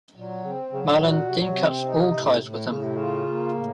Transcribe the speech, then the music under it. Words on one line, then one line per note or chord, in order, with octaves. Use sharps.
Marlon then cuts all ties with him.
A#2 F#3
C#3 C4
C#3 F#3
A#2
A#2 F#4
C3 F#3
A#2
C3
C4
D#4
A2
A2
A2 C#3
C3
C#3 F4
A#3
A2